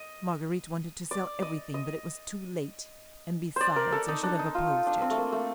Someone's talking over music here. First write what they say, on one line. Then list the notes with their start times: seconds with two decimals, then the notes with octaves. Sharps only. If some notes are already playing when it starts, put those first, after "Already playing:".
Marguerite wanted to sell everything, but it was too late, and besides I should have opposed it.
Already playing: D#5
1.11 D5
1.42 D#5
1.74 D#5
3.56 C5 D5
3.76 A#4
3.92 A4
4.08 D#4
4.23 D4
4.39 D#4
4.55 F4
4.87 D4
5.01 C4
5.11 A3
5.18 A#3
5.32 A3